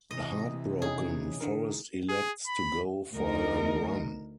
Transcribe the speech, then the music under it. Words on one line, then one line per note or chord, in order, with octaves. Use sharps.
Heartbroken, Forrest elects to go for a run.
C3 E3 D#5
C#4 D#4 G#4
D3 A#4
G#4
B5
D2 D#4 A#4